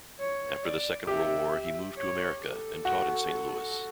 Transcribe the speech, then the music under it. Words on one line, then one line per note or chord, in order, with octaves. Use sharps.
After the Second World War he moved to America and taught in Saint Louis.
C#5
D5
G4 E5
C#5
A4
F#4